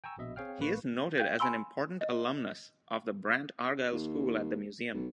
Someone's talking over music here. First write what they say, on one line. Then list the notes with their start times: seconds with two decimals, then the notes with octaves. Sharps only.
He is noted as an important alumnus of the Brant-Argyle School at the museum.
0.04 G5 G#5 A#5 C#6 E6
0.18 A#1 B2 D#5 E5
0.36 C4 G#4 C#5 F5 G5 F6
0.59 A1 A#3 B4 C#6
1.18 F5 G5 G6
1.39 G#5 B5 C6 E6 G7
2.01 D#5
3.92 D#2
4.93 B1